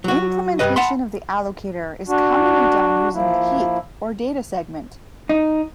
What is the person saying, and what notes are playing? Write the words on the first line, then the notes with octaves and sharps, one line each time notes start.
Implementation of the allocator is commonly done using the heap, or data segment.
F#3 F#4
G2 G3 B4 D#5
F#5 A5 B5 C6
D4 F#4
F3 A#3 E4
D#4